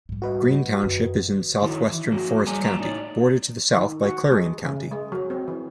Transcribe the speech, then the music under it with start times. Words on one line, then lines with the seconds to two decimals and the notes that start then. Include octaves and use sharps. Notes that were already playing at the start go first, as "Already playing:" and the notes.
Green Township is in southwestern Forest County, bordered to the south by Clarion County.
0.09 G#2 G3
0.22 F#4 B4 D#5
0.83 F#2 D#3
1.62 D#3 F#3 E4 A4 C#5
1.92 E3
2.10 F3 F#3 A#3 F#4
2.46 G3 G#4 C#5 G#5 A#5
2.64 D3 D5 A5 A#5
2.79 A2 D#4 C#5 D5
3.76 D#3
4.03 F#4
4.32 G#3
4.65 C#3
4.92 G#3
5.12 F#3
5.30 C4
5.48 E3